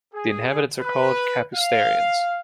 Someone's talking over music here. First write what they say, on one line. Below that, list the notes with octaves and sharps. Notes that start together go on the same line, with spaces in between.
The inhabitants are called "Capesterriens".
G#4
B4
F5